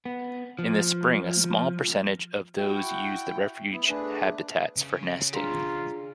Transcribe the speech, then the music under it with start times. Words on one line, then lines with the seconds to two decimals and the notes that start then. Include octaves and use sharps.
In the spring, a small percentage of those use the refuge habitats for nesting.
0.06 B3
0.59 F3
2.57 E4 F#4 F#5 G5
3.71 B3 E4
3.89 A3 D4 G#4 B4
4.76 C#3
5.33 D4 F4 G#4 A#5 C6 B6